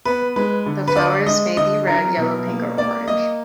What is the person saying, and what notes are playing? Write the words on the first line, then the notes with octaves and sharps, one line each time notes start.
The flowers may be red, yellow, pink, or orange.
B3 B4
G#3 B4
D3
B4
D3 D5
G#3 D#5
D3 D#5
F#3 A#4
B2
A#3
A#3 D5
A#3 D#5